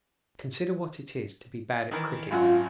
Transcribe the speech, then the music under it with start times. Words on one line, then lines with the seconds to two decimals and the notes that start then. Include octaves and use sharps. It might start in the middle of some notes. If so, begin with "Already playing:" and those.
Consider what it is to be bad at cricket.
1.91 D#3 E3 A#4
2.31 G#1 F#2 F4 F#5